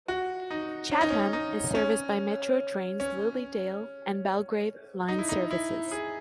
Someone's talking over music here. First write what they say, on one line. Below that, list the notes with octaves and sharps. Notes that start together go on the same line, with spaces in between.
Chatham is serviced by Metro Trains' Lilydale and Belgrave line services.
F#4
D#4
C#4
D#4
C#4
D#4
C#4
C#4
D#4
E4
D#4
E4
G#4